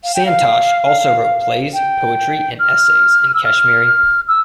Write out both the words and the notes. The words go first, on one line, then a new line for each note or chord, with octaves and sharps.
Santosh also wrote plays, poetry and essays in Kashmiri.
F5
G5
F5
G5
F6
E6
F6
E6